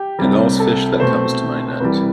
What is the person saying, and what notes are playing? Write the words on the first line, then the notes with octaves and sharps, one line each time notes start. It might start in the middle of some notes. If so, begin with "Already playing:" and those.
And all's fish that comes to my net.
Already playing: G4
C2 C3 G3
A4
B4
B2 A3 C4 C5
C2 C3 E3 G3 B4